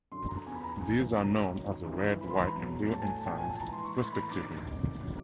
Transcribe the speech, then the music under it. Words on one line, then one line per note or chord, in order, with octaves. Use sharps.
These are known as the "red", "white", and "blue" ensigns respectively.
F#2 D3 F#3 C6
A#5
E2 C#3 F3 G#5
B5
A#5
F#2 C#3 E3 G#5
A#2 F#3 A#5
F#2 D#3 F#3
G2 E3
G#2 E3 B5
C6
B5
A#5
E2 B2 F#3
A2 F#3 A5
G#5
A5
A#2 F3 G5
G#5
A5
G#2 E3 A#5
C6
C#6
A2 E3 B5 C6
B5
A#5
G2 D#3 F#3 D6
F2 C3 D#3
C#3 F#3